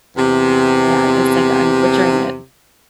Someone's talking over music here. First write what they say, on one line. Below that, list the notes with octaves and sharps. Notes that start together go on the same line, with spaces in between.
Yeah, w it's like I'm butchering it,
E2 C3